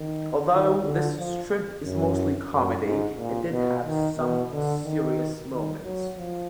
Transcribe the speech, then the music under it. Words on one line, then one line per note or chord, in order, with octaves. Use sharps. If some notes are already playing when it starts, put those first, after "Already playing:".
Although this strip is mostly comedy, it did have some serious moments.
Already playing: D#3
D#3
D3
F3
F#2
F#2
G#2
A#2
B2
D#3
B2
D3
D#3
D#3
F#3
F3